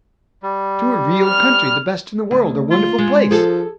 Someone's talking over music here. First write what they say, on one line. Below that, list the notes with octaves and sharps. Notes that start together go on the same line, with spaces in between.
"To a real country--the best in the world--a wonderful place!"
G3
F6
D2
F4
G#3
F3 G#4 A4